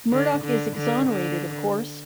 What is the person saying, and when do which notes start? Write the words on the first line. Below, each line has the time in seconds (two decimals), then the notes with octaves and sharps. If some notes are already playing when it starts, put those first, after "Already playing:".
Murdoch is exonerated, of course.
0.12 D3
0.44 D3
0.77 D3
1.08 D3